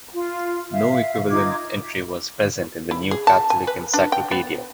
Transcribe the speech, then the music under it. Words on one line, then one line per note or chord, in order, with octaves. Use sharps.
No equivalent entry was present in the "New Catholic Encyclopedia".
F4
E5 F5
D#4 F4 D6 G#6
E4
G#4
A5
G#5
B4
D4
G5
B3